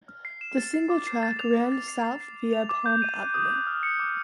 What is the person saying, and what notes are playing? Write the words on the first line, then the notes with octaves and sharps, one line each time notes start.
The single track ran south via Palm Avenue.
F6
C7
E7
A6
C7
D6
C7
A6
F7
A6
A6
C7
C7
C7
C7
F7
D6
G6
D#7
F#6
D#6
F#6
F6
C#7
D6